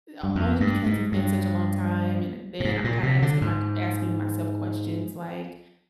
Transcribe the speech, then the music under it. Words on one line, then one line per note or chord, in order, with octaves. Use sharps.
only because it's been such a long time and then I'm kinda asking my q asking myself questions like
G2
F2
G2
G#2
G2
A#2
G#2
A#2
C3
D3
G#2